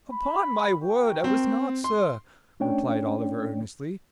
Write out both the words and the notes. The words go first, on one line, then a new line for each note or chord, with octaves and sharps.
'Upon my word I was not, sir,' replied Oliver, earnestly.
B5
F#4 A#4 G5
C4
C6
A3 C#4 D4 C#5 D5 G5